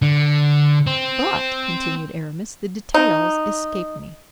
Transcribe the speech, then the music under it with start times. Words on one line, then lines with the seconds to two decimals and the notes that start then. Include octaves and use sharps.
"But," continued Aramis, "the details escape me."
0.02 D3
0.87 C4
2.94 D#4